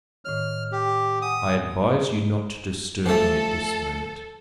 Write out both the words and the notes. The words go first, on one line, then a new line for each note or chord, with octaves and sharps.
"I advise you not to disturb me at this moment."
A2 D#3 C#5 F6
G4
F#5 G#5 D#6
F3 A3 A4